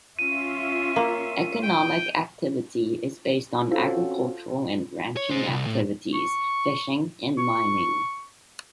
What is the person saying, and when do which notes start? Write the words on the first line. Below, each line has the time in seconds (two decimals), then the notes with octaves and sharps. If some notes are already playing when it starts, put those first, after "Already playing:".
Economic activity is based on agricultural and ranching activities, fishing, and mining.
0.19 C#4 F4 E5 D#7
0.96 A#3
1.62 G5
3.71 C4 C#4 F4 F#4 A4 C5
5.17 C#5
5.30 G#4 C5
5.48 C2
5.67 A2
6.14 C#6
7.38 C#6